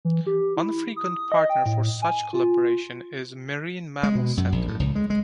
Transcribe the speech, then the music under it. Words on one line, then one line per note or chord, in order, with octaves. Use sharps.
One frequent partner for such collaboration is the Marine Mammal Center.
E3
G4
E4
D#6
D#5
G5
A2
G#5
F4
G#3
B2
F#2
A#1
A2
C#2
G#3
G#3